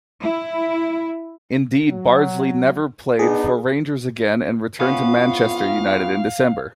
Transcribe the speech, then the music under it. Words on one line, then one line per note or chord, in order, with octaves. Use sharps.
Indeed, Bardsley never played for Rangers again and returned to Manchester United in December.
E4
F#3
B3 D4 D#4 G#4
F2 B3 C#4 E4 F4 F5